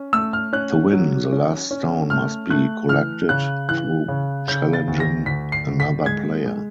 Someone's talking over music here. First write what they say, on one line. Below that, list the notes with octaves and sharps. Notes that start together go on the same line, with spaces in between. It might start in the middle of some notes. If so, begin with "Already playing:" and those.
To win, the last stone must be collected through challenging another player.
Already playing: C#4
A3 E6
F6
C#4 F#6
F#3
C#4
C#4
A3 F6
A3 F#6
E3 F6
C#3 F#6
E3 F#6
C#3
C#3 G6
A6
D2
A#6
D2 B6
C7
D2
B6
G#3 G#6
G#3